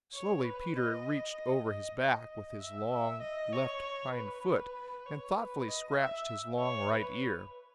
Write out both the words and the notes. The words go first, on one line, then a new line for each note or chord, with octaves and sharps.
Slowly Peter reached over his back with his long left hind foot and thoughtfully scratched his long right ear.
C#5
B4
D#5
D#5
D#5
E5
E5
D#5
C#5
B4
C#5
B4
D#5
E5
C#5
B4